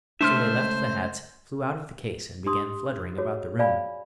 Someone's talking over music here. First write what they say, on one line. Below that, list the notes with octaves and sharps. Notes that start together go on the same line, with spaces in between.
So they left the hats, flew out of the case and began fluttering about the room.
C#2 A3 D4 C5 E5 C6 F6
D4 G4 C6 D#6
F#4 G#4 C#5
D5 F5 G#5 B5